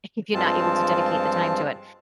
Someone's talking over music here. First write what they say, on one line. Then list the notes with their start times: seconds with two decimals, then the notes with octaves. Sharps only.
if if you're not able to dedicate the time to it?
0.34 G2 F3 G#3 C4 F4 A5